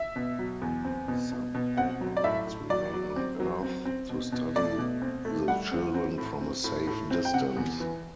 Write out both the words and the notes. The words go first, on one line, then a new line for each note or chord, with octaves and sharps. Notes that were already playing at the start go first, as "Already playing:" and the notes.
Some Overlords remain on Earth to study the children from a safe distance.
Already playing: E5
B2
F#3
E2
C4
B2
B2
B2
C4 F#5
F#3
D5
A2 E5
A2
F#3 D5
F#3
C4
F#3
C4
C4
B2
B2
A3 D5
B2
C4
A3
G3 F#5
C4
C4
A2
C4
A2
A2
C4
G5
C3 F#5
E2
E3